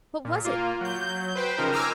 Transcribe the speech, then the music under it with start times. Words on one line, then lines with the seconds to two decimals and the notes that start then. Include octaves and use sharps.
What was it?
0.25 A#2
0.45 A#3 F4
0.81 F#3 G6
1.35 B4 C5 G5
1.58 C#3 F3 D#4 A#4 C5
1.73 G#5 A#5 D6 E6 F6